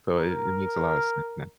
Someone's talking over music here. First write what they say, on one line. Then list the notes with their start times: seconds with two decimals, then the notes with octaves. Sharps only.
So, it it makes a lot of sense now.
0.16 A#4